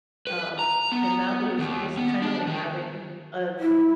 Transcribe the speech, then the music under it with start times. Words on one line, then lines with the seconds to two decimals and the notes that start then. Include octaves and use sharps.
um, and that was it was kinda like having, uh, m
0.27 B4
0.59 A#5
0.92 B3
1.59 D#2
1.97 B3
2.22 D4
2.47 D#3
3.60 E4